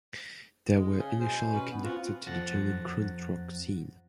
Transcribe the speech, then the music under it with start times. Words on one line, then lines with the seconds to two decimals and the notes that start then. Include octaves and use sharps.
They were initially connected to the German krautrock scene.
0.72 G#3 E4
0.99 C#3 G#5
1.20 B2 C5 G#5
1.52 C#4 B4
1.71 B3
1.84 C4 F4 F#4
2.27 F2 F3 F#5 F#6 A6 A#6